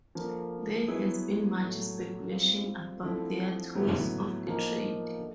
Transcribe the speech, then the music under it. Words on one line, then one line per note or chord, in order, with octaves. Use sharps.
There has been much speculation about their tools of the trade.
D3 F3 A#3
F#3 B3 E4 G#4
A2 F#3 A3
G3 C4 F4 G#4
D3 F3 A3 C4 E4
A2 F#3 B3 E4
F3 A#3 D#4
D3